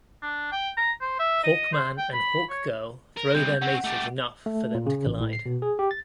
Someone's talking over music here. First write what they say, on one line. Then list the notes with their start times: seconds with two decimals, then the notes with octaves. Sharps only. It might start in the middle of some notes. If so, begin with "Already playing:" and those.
Hawkman and Hawkgirl throw their maces enough for them to collide.
0.22 D4
0.52 G5
0.77 A#5
1.01 C5
1.19 E5
1.43 D#5
1.73 C5
1.98 G5
2.13 B5
2.50 C#5
3.17 A#4
3.35 C2 C3 G6
3.62 C4 C#4 F#5
3.84 A3 G4
4.46 A3
4.74 A#2
4.86 C#3
5.06 A1
5.21 A2
5.33 C7
5.46 B2
5.62 G#4
5.79 G4
5.91 A6